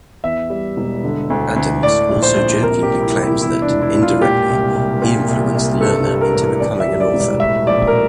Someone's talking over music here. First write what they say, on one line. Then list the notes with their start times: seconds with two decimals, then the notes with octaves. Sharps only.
Adams also jokingly claims that, indirectly, he influenced Lerner into becoming an author.
0.24 E2 E5
0.50 G3
0.77 E1
1.04 D3
1.30 D2
1.56 D2
1.83 A2 D5
2.09 A#1
2.22 C5
2.37 A#1
2.63 C3 A#4
2.83 G4
2.89 C2
3.02 E4
3.15 C2
3.22 E4
3.42 E2 E4
3.62 D4
3.69 E1
3.81 E4
3.95 E1
4.02 F4
4.22 A#2 G4
4.49 C2
4.75 C2
5.01 A#2
5.28 C2
5.54 C2
5.80 G2 A4
6.07 G3
6.21 A#4
6.33 A1
6.60 D2 D5
6.80 E5
6.88 G3
7.00 D5
7.14 E1
7.20 D5
7.40 A2 E5
7.67 A#1 D5
7.87 A#4